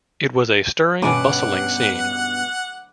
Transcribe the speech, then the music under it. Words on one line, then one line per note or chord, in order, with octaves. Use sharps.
It was a stirring, bustling scene.
G2 B2 C#4 F#5 D6